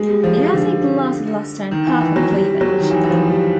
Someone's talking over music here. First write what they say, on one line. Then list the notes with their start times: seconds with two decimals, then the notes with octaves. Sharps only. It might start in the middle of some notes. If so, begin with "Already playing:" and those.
It has a glassy luster and perfect cleavage.
Already playing: G#3
0.09 G3
0.24 F3
0.38 F3
0.53 D3
1.71 D#3
1.87 E3
2.01 E3
2.16 F#3
2.31 G3
2.61 F#3
2.80 D#3
2.91 E3
3.04 E3
3.10 F3
3.30 G3